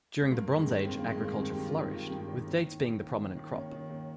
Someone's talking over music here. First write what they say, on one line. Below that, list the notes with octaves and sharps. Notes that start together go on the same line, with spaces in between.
During the Bronze Age, agriculture flourished, with dates being the prominent crop.
G#3
G2 A#3
D#3
G#3
G2
D#3 C4
G2 A#3
G#3
D#3 A#3
G2 C4
D#3 G4
F4
G2 D#4
D#3 F4
G4
G2
G4
D#3 D#4
D#2
D#3
D#2
D#3
D#2
D#3
D#2 C#4
D#3
D#2